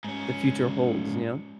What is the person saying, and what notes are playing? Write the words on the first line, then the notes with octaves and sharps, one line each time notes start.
the future holds, you know?
G#2 C#4